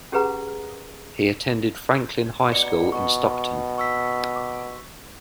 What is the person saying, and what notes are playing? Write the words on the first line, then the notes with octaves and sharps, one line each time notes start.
He attended Franklin High School in Stockton.
C#4 G4 G#4 B4 F#5 A#5
B2 D5 C#7
B2 C#6
C#6 E6 B6